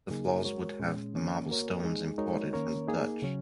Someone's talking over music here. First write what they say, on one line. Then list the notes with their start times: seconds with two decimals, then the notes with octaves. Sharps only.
The floors would having the marble stones imported from Dutch.
0.10 C#3 F#3 A#3 D#4 G#4
0.45 G#3 F#4 A#4 C#5
0.80 A#2 G#3 C#4
1.14 D#3 A#3 C#4
1.49 A#3 F#4 A#4 C#5
1.83 G#3 D#4 G#4
2.18 G#3 D#4 F#4 A#4 C#5
2.54 D#3 A#3 C#4 A#4 C#5
2.88 A#3 D#4 G#4
3.22 C#3 F#3 C#4